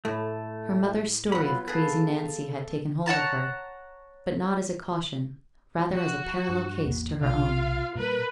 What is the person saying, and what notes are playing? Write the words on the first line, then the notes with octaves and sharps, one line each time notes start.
Her mother's story of crazy Nancy had taken hold of her; but not as a 'caution,' rather as a parallel case to her own.
A2 A3
F#3 B3 F4 F#4 B5
G#4 A4 B4 F5
C#5 F#5 A5 A#5
F3 F#4
G2
A1 E2 A#3
B1 C3 F4 F5
A#2 G3 A#4 B4